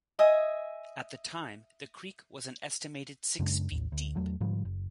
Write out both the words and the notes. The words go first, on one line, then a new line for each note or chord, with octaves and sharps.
At the time, the creek was an estimated six feet deep.
D#5 E5 G#5 D#6
F#2 C#3 G#3 D4
A1 D#2
D2
E2 F#3 A3
G#2 D3 F3 G3
F#1